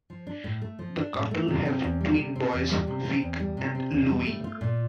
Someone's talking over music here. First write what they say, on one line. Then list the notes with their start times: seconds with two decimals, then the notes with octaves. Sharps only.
The couple have twin boys, Vic and Louie.
0.10 F3
0.27 D4
0.44 A2
0.62 A3
0.79 F3
0.97 D4
1.14 A2
1.31 A3
1.48 C3
1.66 C4
1.84 E2
2.01 G3
2.18 C3
2.36 C4
2.53 E2
2.70 G3
2.87 C3
3.05 C4
3.22 E2
3.40 G3
3.57 C3
3.75 C4
3.92 E2
4.09 G3
4.27 A3
4.44 F4
4.61 A#2